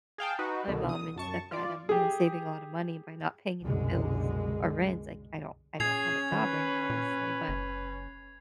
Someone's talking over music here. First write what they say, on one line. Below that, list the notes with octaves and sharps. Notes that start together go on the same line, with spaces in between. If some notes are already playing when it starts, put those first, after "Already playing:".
my mom and stepdad. I'm, you know, saving a lotta money by not paying any bills or rents. Like, I don't I don't have a job right now, obviously, but,
G#4 F5 G5 A5
D#4 F#4 B4
C2 B2 D3 D#3
D#6
F#2 A5 C#6
F4 D5
G4 G#4
C2 F#2 B2 D3 G#3
A#2 C#4 G#4 G#6 C7 F7
D#3 B4
A#2
F#1